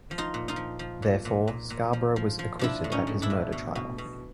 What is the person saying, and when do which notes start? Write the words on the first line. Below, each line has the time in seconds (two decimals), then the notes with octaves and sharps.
Therefore, Scarborough was acquitted at his murder trial.
0.11 F3
0.18 D#4 F4
0.34 A#2
0.48 D#4 F4
0.56 F3
0.79 F3
1.02 A#2
1.25 A#2
1.48 A#2
1.70 A#2
1.93 F3
2.16 F3
2.39 F3
2.59 F3 D4 E4
2.84 A2
2.92 C#4 D#4
3.07 A2
3.22 D4 E4
3.30 A2
3.52 B2
3.75 B2
3.98 B2